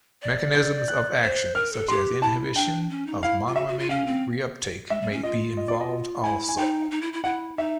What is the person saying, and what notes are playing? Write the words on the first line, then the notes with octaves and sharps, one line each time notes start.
Mechanisms of action such as inhibition of monoamine reuptake may be involved also.
D5
G6
F#6
C5
A#4 F6
A4
G4 C6
E4 A5
D4 G5
C#4
D#4
E4 F5
F4
F#4 E5
F#4
F4
C#4 F5
C4
G#3 E5
G3
C#4
F4 D#5
D#5
D5
D#5
E4 G#5
G#5
D#4 G5
D#4
E4
E4
E4 F#5
D#4 E5